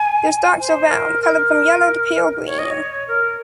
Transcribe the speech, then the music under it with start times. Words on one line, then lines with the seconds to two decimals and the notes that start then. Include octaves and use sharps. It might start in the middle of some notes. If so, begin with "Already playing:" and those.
Their stalks are round, colored from yellow to pale green.
Already playing: G#5
0.59 C5
0.90 A#4
1.22 A#4
2.46 C#5
2.58 D#5
2.70 C#5
3.08 A#4